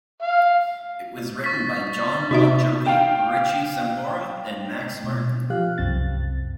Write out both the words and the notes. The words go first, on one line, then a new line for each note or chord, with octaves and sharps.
It was written by Jon Bon Jovi, Richie Sambora, and Max Martin.
F5
C#6 A6 B6
C3 D#4 F#4 E5
F5 G5
B2
F3 G4 F5 F#6
C2 F#2 C4 A6